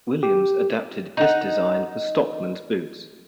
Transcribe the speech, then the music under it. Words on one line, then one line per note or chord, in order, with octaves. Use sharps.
Williams adapted this design for stockmen's boots.
G4
D#4 F#5